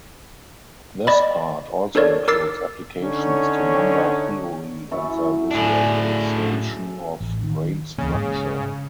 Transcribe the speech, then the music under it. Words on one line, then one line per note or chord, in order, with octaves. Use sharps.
This part also includes applications to number theory and the visualization of brain structure.
D5 D#5 B5
D4 A4 A#4 C#5 D5
A#4 D6 E6 A6 C7
D3 C#4 D#4 C#5
F#2 E4 C#6
A2 D4 G#4 A4
A1
D#3
D2 C#3 E3 A#3
G#2